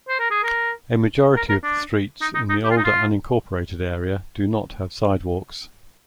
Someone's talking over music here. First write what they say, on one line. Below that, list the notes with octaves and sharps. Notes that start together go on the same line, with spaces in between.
A majority of the streets in the older unincorporated area do not have sidewalks.
C5
A#4
G#4
A#4
A#4
A#4
D4
D#4
D#4
D#4
G4
F4
D#4
F4